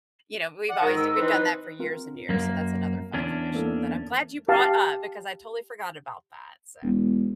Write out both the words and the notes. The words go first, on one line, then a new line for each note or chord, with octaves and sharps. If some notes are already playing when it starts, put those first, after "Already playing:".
you know, we've always we've done that for years and years, so that's another fun tradition that I'm glad you brought up because I totally forgot about that. So
D5 F#5
G#2 D#3 A#4
E6
E3 C4 D#4 B4
C4 F4 A#4
F#2 A#3 A#4
E2 C#4 D4
E3 A#3 A4
G4 F5 A5
E1